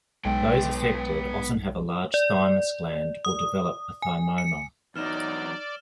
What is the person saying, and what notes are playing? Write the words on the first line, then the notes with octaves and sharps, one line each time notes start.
Those affected often have a large thymus gland or develop a thymoma.
B1 G#3 B3 G5
D5
D#6
G#5
C#7
E2 F#3 D#4 D5 F6 E7